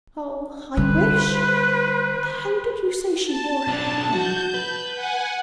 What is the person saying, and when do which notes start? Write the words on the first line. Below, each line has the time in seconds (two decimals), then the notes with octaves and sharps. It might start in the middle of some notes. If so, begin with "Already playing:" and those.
"O, I wish!--How did you say she wore her hair?"
0.77 D3 G3 B4 C5
3.25 A5
3.67 B1 D4
4.13 F#4 G6
4.54 B4
4.95 F#5 G#5